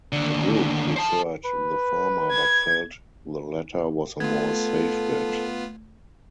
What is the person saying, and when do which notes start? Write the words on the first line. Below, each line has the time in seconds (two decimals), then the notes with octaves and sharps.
The group preferred the former but felt the latter was a more safe bet.
0.12 D#2 D3
0.96 C5 A5
1.45 B4
2.31 G#6
4.20 A3 B3 F4 A4 G#6